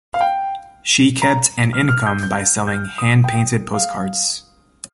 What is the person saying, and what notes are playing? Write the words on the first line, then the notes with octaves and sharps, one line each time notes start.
She kept an income by selling hand-painted postcards.
F5
G5
A#5
F6
F6
G6
G6
G6
F6
D#6
G5
F5